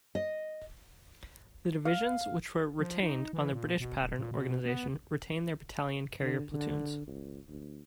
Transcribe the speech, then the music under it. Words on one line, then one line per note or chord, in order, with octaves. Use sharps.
The divisions which were retained on the British-pattern organisation retained their battalion carrier platoons.
D#5
F5
F3
D#4
E3
A#2
B2
D1
A#2
B2
B3
D3
D3
C#2
D2